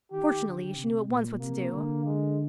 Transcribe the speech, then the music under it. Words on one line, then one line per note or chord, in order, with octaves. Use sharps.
Fortunately she knew at once what to do.
D#3 G4
D3
C3
A#2
C3 A#3
D3
G#3